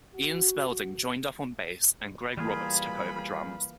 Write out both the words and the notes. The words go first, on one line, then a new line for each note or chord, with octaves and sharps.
Ian Spalding joined up on bass and Greg Roberts took over drums.
F#4
E3 G3 A#3 F4 G#4 B5